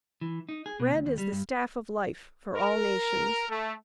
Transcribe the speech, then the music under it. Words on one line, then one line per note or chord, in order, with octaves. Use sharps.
Bread is the staff of life for all nations.
E3
D#4
G#4
B2
D2
D#2
G3
G2
A#4
A3